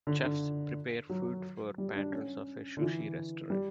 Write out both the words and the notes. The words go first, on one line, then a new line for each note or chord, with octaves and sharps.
Chefs prepare food for patrons of a sushi restaurant.
D3
D3
F#3
G3
D4
C#4
D3
E3
G3